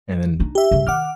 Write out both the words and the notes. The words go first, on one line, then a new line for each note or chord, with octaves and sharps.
and then
D4 D#4
G4 E5
G2 C#3
D#3 F#5 D6 F6